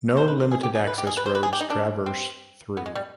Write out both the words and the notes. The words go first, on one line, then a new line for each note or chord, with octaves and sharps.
No limited access roads traverse through.
C5
B4
G#4
G4
G#4
B4
G4
G#4
B4
C5
B4
G#4
G4
D#4
D4
C4
B3
G#3
G3